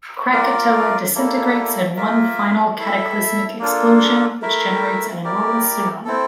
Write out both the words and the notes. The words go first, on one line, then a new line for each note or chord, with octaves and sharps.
Krakatoa disintegrates in one final, cataclysmic explosion, which generates an enormous tsunami.
F4 A#4 D5
G3 A#3 E4 A4
A#3 F4 A#4 E5
E4 A4 E5
A#3 D4 F4 A4
A3 E4 A#4 E5
E4 G4 A#4 D5
C4 E4 A4